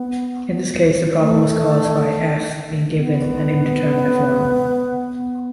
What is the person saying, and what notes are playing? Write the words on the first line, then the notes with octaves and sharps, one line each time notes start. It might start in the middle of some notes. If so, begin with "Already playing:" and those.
In this case the problem was caused by "f" being given an indeterminate form.
Already playing: B3
A3
B3